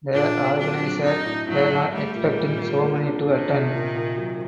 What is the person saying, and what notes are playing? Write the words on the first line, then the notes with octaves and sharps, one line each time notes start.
The organisers were not expecting so many to attend.
A#2 D4
C4
F#3 D4
F#3
D4 D#4
A2
A2 F#3
A2
G3 A3
A#2
A#2
A#2
A#3
D4
D#3 D4
C3
A#2
A#2
F#3